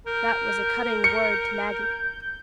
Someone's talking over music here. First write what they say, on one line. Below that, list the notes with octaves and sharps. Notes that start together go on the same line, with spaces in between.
That was a cutting word to Maggie.
A#4 G6
C#7